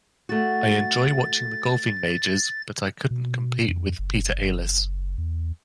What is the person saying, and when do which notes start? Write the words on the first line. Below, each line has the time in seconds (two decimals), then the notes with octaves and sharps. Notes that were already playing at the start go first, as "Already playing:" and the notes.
I enjoy watching the golfing Majors but I couldn't compete with Peter Alliss.
0.29 A3 F#4 A6
3.11 B2
3.68 F2
3.99 F#1
5.18 E2